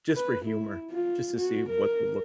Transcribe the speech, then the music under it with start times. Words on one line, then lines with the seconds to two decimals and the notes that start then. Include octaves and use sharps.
just for humor, just to see what the look
0.15 B4
0.45 E4
0.91 F4
1.37 F#4
1.69 A#4